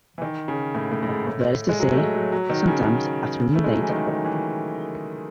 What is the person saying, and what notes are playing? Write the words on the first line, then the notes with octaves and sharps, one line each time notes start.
That is to say, some time after midnight.
E3
D#3
C#3
A2
A2
A2
G#2
A2
G#3
F#3
A3
G#3
F#3
F#3
D#3
C#3
A3
G#3
F#3
E3
D#3
D#3
E3